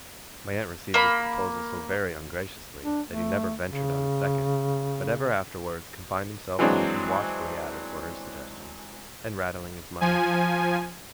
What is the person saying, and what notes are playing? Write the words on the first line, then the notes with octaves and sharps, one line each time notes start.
My aunt received this proposal so very ungraciously, that he never ventured on a second; but ever afterwards confined himself to looking watchfully at her for her suggestions, and rattling his money.
A#3 B5
D4
A3
C#3
E3 F#3 G#3 C4 D4
F3 G#5